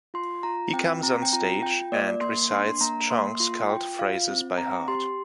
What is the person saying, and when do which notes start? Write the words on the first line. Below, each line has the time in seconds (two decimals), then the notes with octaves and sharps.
He comes on stage and recites Chong's cult phrases by heart.
0.14 F4 C6
0.43 F4 A#5
0.73 C4 G5
1.03 C4 A#5
1.22 G5
1.33 F4 A#5
1.62 F4 G5
1.92 A#3 D5
2.21 A#3 C6
2.51 D4 C6
2.81 A#3 A#5
3.10 A#3 C6
3.40 F4 C6
3.69 F4 G5
3.99 F4 F5
4.28 C4
4.58 C4 A#5
4.88 G4 C6